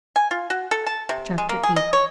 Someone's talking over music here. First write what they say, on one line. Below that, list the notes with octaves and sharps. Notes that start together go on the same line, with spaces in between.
Chapter VIII.
G#5
F4
F#4
A4
A5
C3
G#3
A#3
G#4
D#5
C#5